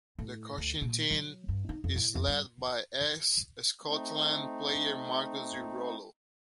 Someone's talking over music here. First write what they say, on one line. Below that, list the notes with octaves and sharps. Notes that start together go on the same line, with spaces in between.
The coaching team is led by ex-Scotland player Marcus Di Rollo.
A2
D2
A#2
F#3
G2
D#4
F2
A2
F2
G2
A3 C4 D#4